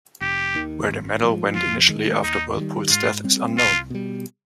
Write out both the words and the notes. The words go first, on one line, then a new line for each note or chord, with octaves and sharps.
Where the medal went initially after Whirlpool's death is unknown.
F1 G4
D#2 D#3
G#1
G#2 F3
F2 F4
D#3 G#3
D#2 D#4
D#3 G3
G#2 F4
G3 C4
C2 F4
B2 G3